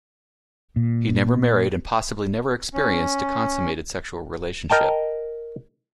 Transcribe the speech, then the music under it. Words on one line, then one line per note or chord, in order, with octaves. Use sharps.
He never married and possibly never experienced a consummated sexual relationship.
A#2
C#4
A#4 D#5 G5 A5